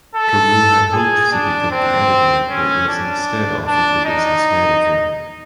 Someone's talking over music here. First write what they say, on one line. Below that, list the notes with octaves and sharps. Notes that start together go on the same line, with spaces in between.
Carew had hoped to become the editor but was instead offered the business manager.
A4
G#4
D4
C4
C#4
D4
D4
D#4